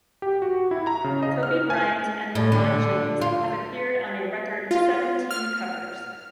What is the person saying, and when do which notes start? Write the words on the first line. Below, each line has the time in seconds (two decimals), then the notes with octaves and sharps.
Kobe Bryant and LeBron James have appeared on a record seventeen covers.
0.22 G4
0.42 F#4
0.71 E4
0.87 A#5
1.04 C#3
1.23 D#5
1.43 F6
1.70 G#5
2.35 A2
2.52 D3
3.21 F4
4.71 F4
5.31 F6